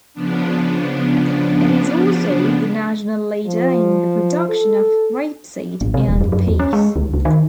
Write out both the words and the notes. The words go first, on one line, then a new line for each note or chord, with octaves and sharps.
It is also the national leader in the production of rapeseed and peas.
C#3 F3 B3 D4
F3
A4
A1
C3
D#1
F#2
F#2
E2
C#4
G#3
D2
C#2
D#3